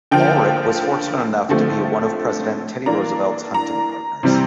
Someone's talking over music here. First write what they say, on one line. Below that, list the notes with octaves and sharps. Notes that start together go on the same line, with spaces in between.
Alrich was fortunate enough to be one of President Teddy Roosevelt's hunting partners.
D3 F3 A#3 G5
D3 F3 A3 C4
E3 A#3 D4 A#5
A#5
C3 E3 G3 C4